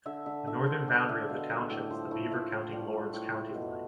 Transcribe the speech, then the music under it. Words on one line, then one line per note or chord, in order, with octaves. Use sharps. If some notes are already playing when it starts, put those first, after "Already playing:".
The northern boundary of the township is the Beaver County-Lawrence County line.
D3 E5
D3 E5
D3 E5
D3 C5
G3 D5
G3 E5
B2 F5
G3 E5
A2 E5
F3 C5
A3 E4
A3 F4
A2 C5
G3
G3
A2
A3
B2